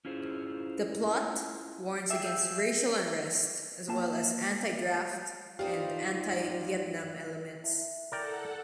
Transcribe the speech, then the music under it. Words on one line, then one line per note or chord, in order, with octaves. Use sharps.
The "Plot" warns against "racial unrest," as well as "anti-draft" and "anti-Vietnam" elements.
C#4 E4 F4 G#4 C5
G#4 E5 G5
A#3 F4 F5 G5 A5
G2 D#4 F4 G4 C5 D5 F5
E4 E5
A4 A#4 D5 F#5 G5